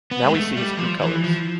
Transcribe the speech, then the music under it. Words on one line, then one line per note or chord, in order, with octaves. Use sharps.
Now we see his true colors.
B3
G#3
A3
G3
F3
E3
F3